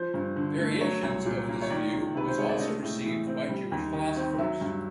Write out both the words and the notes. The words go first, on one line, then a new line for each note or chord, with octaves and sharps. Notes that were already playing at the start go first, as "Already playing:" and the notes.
Variations of this view was also received by Jewish philosophers.
Already playing: F3 C5
G2
D3
A3
F#3 C#5
C2
A#2
A#3
C#5
D#3 D5
C#2
C3 B4
C5
G#3 C#5
D5
A3 D#5
A2
E3
C4
G3
D#2
D#3
C4
F#3 E5
G2